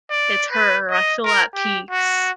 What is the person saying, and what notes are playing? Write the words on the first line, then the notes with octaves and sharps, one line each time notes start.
it's her. I feel at peace."
D5
B4
D#5
A#4
G4
F#4